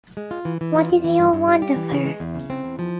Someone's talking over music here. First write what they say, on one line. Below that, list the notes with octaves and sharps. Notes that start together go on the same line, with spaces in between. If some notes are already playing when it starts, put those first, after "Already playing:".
What did they all want of her?
G#3
F4
E3
E3
F4
F2
E3
G2
G2
G3
G4
E3
C#3
G#3
E2
C#3
C4
E2
F3